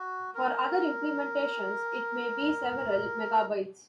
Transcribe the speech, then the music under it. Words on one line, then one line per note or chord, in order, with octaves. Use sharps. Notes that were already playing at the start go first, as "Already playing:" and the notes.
For other implementations, it may be several megabytes.
Already playing: F#4
A#4